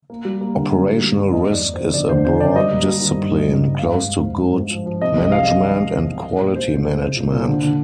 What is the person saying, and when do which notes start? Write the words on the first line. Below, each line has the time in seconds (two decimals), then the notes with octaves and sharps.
Operational risk is a broad discipline, close to good management and quality management.
0.10 A#3
0.25 G3
0.41 A#3
0.56 D3
0.71 G3
0.87 G3
1.02 G3
1.17 G2
1.33 A#3 D#5
1.48 F2 D5
1.63 F2
1.74 C5
1.79 F3
1.94 D3 D5
2.09 D3 C5
2.25 F3 C5
2.40 D3 D5
2.55 G3 D#5
2.71 A#3
2.86 G3
3.01 D#3
3.17 G2
3.32 D#3
3.47 G2
3.63 G2
3.78 G#2 F5
3.94 G#3
4.09 G#2
4.25 G#2
4.40 G#2
4.56 G#2
4.70 F3
4.86 F3
5.01 C3 D#5
5.17 C2
5.24 D#5
5.32 G#3 F5
5.48 C3 D#5
5.63 D#3
5.78 C3
5.94 C3
6.09 C3
6.24 G#3
6.40 A#2
6.55 G#3 C5
6.71 G#3
6.86 G#3
7.00 G#3
7.16 A#2
7.32 A#2
7.47 D3
7.63 D3